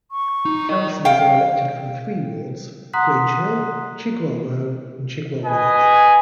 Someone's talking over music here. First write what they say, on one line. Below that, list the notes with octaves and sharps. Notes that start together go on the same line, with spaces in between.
Councillors are elected from three wards: Grange Hill, Chigwell Row and Chigwell Village.
C#6
D#4
A#4 D#5
F5 G5
F#5 A#5 C6 D#6 F#6 B6
B4 D#5 G#5